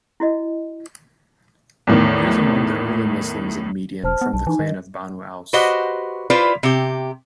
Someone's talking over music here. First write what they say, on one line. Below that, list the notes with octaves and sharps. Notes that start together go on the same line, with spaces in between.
He was among the early Muslims of Median from the clan of Banu Aws.
E4 F#4 D#5
E2 A2 D#3
E1 C5 A5 F6
B3
B1 A5
E3 D#4 G#5
D#3 D#5
F#4 G4 B4 C5 D#5 F#5
E4 F4 B4 C5 D5
C3 G4